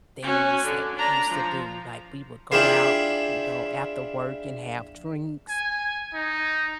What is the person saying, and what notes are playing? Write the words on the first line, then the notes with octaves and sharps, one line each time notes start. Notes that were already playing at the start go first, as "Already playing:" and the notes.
things that we used to do. Like, we would go out, you know, after work and have drinks,
C#4 F#4
D3
D4 A#5
F3
D4 E4 F4 G4 G#4 F5
G#5
D#4